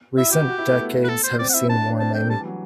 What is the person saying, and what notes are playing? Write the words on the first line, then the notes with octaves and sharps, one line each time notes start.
Recent decades have seen warming.
E4 E5
F#4
E4 G4
F#4
E4
A3
B3
B4
A4
C5
C4 D5
F#5
E4 E5
D4 A5
D4
C4 A5
A3 G5
G3 A5
E3
F#3